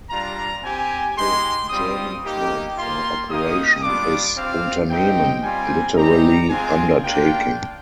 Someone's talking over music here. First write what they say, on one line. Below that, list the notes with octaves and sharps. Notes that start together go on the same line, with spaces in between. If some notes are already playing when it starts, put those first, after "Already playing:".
The German term for "Operation" is "Unternehmen", literally "undertaking".
G3 D4 F4 A#5
C4 G4 G#5
G#3 D#4 G4 C6
G3 C4 F4 D#6
A#3 D#4 G4
A#3 F4 C6
A#3 D#4 G4 D#6
G3 D4 F4 D6
C4 F4 F5
C4 D#4 G4 G5
G3 C4 F4 G#5
G3 C4 D#4 G4 A#5
G#3 C4 F4 G#5
A#3 D4 F4 G5